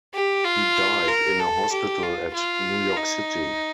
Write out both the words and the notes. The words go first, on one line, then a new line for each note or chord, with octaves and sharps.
He died in a hospital at New York City.
G4
F4
A#4
A4
G4
F4
F4
D#4